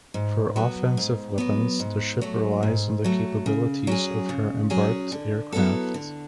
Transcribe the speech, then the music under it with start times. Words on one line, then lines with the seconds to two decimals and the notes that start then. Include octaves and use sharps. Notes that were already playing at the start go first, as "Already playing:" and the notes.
For offensive weapons, the ship relies on the capabilities of her embarked aircraft.
0.14 G#2
0.56 F#3 B3
0.97 G#2
1.38 F#3 B3
1.79 G#2
2.21 F#3 A3
2.63 G#2
3.04 F#3 A3
3.46 C#3
3.87 F#3 C#4 G#4
4.29 C#3
4.70 F#3 C#4 G#4
5.12 D3
5.52 F#3 B3 E4 A4
5.94 D3